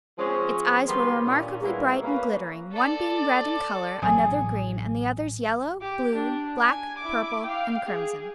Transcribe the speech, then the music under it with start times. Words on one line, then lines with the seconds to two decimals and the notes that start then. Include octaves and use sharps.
Its eyes were remarkably bright and glittering, one being red in color, another green, and the others yellow, blue, black, purple and crimson.
0.19 F3 G#3 C4 C#4
0.87 D#3 G3 B3 G4 A#4 C6
1.25 A#2 C#4 D4
1.61 G3 G#3 A#3 B3 E4 F4
2.03 A#3 C#4 B4
2.73 A4 D5
4.02 A1 F#3 G#4
5.81 G4 D6
6.13 D4
6.65 G#5
6.98 E4 D6
7.44 F5 G5
7.87 G#4